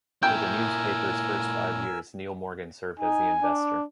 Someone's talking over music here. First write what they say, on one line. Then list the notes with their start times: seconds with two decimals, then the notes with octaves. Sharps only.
For the newspaper's first five years, Niel Morgan served as the investor.
0.23 A#2 E4 A#4 G5 G#5 E6
3.00 D#4 G#5
3.42 D4